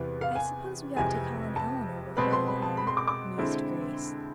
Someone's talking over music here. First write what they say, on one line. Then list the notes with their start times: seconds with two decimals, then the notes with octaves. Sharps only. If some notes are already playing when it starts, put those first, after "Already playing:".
"I suppose we ought to call on Eleanor before long," mused Grace.
Already playing: E2 C3 E3 B3
0.21 F5
0.35 G#5
0.96 F2 C3 E3 G#3 G#5
1.56 A5
2.17 B2 G#3 C4 G#4 B4 B5
2.33 C6
2.47 B5
2.62 A5
2.77 B5
2.87 C6
2.97 D6
3.07 D6
3.38 D3 G#3 C4 E4 A4